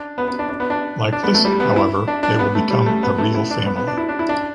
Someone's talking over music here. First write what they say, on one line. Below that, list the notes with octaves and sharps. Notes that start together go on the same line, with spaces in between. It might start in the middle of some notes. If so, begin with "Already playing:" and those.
Like this, however, they will become a real family.
Already playing: D4
B3
B3
D4
D4
B3
D4
D4
B3
A3
G3
B3
E4
D4
D4
B3
A3
G3
A3
B3
A3
E4
D4
B3
B3
D4
E4
D4
E4
D4